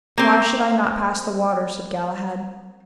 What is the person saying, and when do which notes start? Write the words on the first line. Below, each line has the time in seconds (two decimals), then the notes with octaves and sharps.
Why should I not pass the water? said Galahad.
0.18 A#3 C4